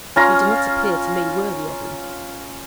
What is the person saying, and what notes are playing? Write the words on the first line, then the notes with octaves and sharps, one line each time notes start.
You did not appear to me worthy of him.
C#4 F4 A#5